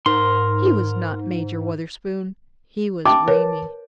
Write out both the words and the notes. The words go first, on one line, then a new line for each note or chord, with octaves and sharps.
He was not Major Wutherspoon; he was Raymie.
G#2 A#4 C6
G5 A5 D6
A#4 B4 C#5